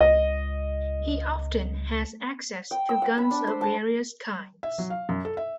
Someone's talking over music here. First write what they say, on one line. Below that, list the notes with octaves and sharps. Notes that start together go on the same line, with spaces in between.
He often has access to guns of various kinds.
C#2 D#5
G5
E6
F#5
B5
D4
C5
A5
E5
F#3
F5
F#2
A4
E5